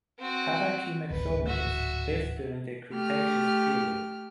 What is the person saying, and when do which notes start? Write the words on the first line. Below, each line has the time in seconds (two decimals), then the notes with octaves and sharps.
"Paracimexomys" lived during the Cretaceous period.
0.19 C4 F#4
1.10 D1 G#1 B4
1.46 F#4 E5
2.92 A3 G4 F6